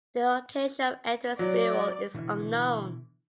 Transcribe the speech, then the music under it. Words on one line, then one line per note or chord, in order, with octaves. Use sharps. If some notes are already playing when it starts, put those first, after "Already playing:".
The location of Edward's burial is unknown.
F#3 D5
B2 D3 E3 E4